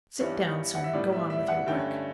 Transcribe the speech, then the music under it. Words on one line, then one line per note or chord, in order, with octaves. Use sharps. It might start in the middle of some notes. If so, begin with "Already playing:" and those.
"Sit down, sir, and go on with your work."
G2 E3 G3 B3 C#5
F#5
E5
A2 G3 B3 D5
E5
E5
F#5
G2 D3 A3 C#4 G5